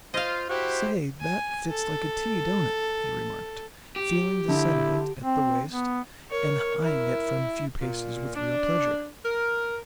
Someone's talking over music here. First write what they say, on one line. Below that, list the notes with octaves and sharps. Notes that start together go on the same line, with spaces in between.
"Say, that fits like a T, don't it?" he remarked, feeling the set of it at the waist and eyeing it from a few paces with real pleasure.
F4 C5 D#5 F5
E4 F#4 G4 C5
G#5
A4
G4
D3 E4
C4
B3
A#4 C#5
E4
A#2
D4
A#4